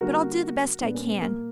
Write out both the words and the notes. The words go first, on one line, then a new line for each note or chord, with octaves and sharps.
But I'll do the best I can.
D3 G3 A#3 F#4 A#4
A#2 G3 A#3 B3 D4
A#3 C#4
B3
A#3